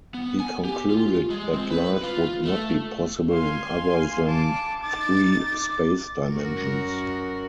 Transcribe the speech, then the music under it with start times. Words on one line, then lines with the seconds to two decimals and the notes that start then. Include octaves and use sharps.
He concluded that life would not be possible in other than three space dimensions.
0.14 B3
0.40 G#5
0.65 G4
0.90 F4
1.30 G#3
1.53 C4
1.70 B4
2.03 F4
2.45 A3
3.31 F5 G#5 C6
4.26 A5 D6
4.83 D#4 D6 A6
6.34 F#2 F#4 A#4